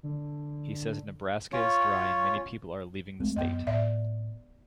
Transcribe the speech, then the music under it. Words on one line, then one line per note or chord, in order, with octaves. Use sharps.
He says Nebraska is dry and many people are leaving the state.
D3
C#4 F4 C#5
G#3 A3 C4
F#2 B3 D#5
A2 D5 E5